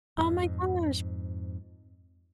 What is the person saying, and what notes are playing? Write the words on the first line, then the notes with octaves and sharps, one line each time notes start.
Oh my gosh.
F2 G#2